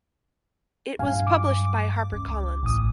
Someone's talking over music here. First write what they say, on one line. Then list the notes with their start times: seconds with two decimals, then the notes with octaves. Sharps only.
It was published by Harper Collins.
0.99 G2 F#3 F5 G#5
1.27 D6
2.12 C#2
2.63 A1 A2 D#6